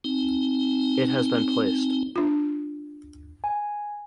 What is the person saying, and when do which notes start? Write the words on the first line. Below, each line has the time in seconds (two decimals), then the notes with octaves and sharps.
It has been placed.
0.04 C4 D#4
2.16 D4 F4
3.44 G#5